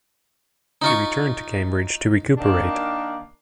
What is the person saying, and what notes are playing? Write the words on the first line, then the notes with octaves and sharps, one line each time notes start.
She returned to Cambridge to recuperate.
D#4 F4 C#6
D#3 A#3 D4